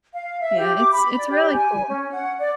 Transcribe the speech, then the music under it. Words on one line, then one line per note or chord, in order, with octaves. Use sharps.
Yeah, it's it's really cool.
F5
E5
G4
D6
B5
D5
G4
G#5
C#4
F#5
D5